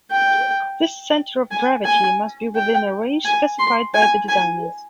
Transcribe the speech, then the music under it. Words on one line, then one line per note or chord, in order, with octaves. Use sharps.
This center of gravity must be within a range specified by the designers.
G5
G#5
G#5
G5
G#5
C6
G#5
G#5